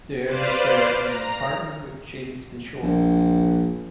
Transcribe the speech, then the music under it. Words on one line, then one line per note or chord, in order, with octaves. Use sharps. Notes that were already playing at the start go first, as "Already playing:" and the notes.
There he shared an apartment with James Pinchot.
B4 C5 D5 F5
A#5
A#1